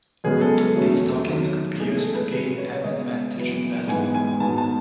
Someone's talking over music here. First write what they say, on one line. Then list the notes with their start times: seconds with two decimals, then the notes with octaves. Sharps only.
These tokens could be used to gain an advantage in battle.
0.24 F#2 C#3 G#3 B3 G#4
0.41 A4
0.59 A4
0.76 E2 B2 F#3 A3 C#4
1.28 F#2 D#3 F#3
1.79 A2 E3 G#3 B3 G#4
1.97 A4
2.15 B4
2.32 C#3 F#3 C#4 B4
2.58 C#5
2.73 C#5
2.84 C#3 G#3 B3 D#5
3.36 F#2 E3 B3
3.88 G#2 E3 G#3 B3 G#5
4.15 G#5
4.40 G#2 F#3 B3 A5
4.58 A5